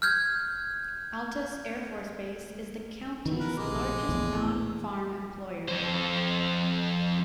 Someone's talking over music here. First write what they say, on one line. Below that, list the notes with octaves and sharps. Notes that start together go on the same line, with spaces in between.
Altus Air Force Base is the county's largest non-farm employer.
F6 G6 G#6
D#3 E3 B3
A#4 B4
A#1 C3 G#3 D6
A#1 E2 A2
F2 C5